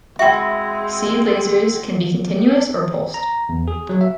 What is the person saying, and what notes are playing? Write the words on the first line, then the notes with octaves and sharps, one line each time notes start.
Seed lasers can be continuous or pulsed.
G#3 C4 E4 F#4 E5 G5
A#5
E2
G#4
F#3
E5